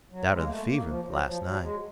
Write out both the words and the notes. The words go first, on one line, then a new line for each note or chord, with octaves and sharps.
Died of the fever, last night.
F#3
G#3
A#3
A3
A#3
F3
F#3
F3
F#3
G#3